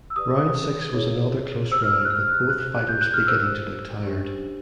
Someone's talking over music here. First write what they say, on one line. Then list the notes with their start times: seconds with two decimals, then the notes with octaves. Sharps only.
Round six was another close round with both fighters beginning to look tired.
0.10 E6
0.16 G4 B4 D5 D#6
0.94 E4 G#4 C#5
1.71 G4 C5 E6
1.82 F6
1.92 E6
2.05 F#6
2.10 F6
2.50 G4 C5 F#6
2.89 G6
3.01 F#6
3.14 F6
3.27 G4 C5 E6
4.05 D4 G4 C5